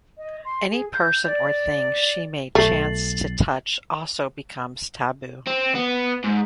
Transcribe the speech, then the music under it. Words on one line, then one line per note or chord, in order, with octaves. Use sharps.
Any person or thing she may chance to touch also becomes taboo.
D#5
C6
G#4
G6
D5
B1 A3 A6 C7 F#7
C4
B3
G#2